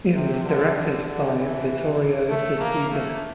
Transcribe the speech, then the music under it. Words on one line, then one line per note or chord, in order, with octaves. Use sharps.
It was directed by Vittorio De Sica.
C3
D3
D3
D3
E3
A3
A#3
A3